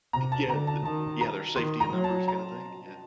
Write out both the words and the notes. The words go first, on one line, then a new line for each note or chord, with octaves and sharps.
yeah, the yeah, there's safety in numbers kinda thing, yeah.
C3 A#5
A5
D3 A#5
A5
D#3 A5
A#5
D#3 C6
A#5
F#3
A5
A#5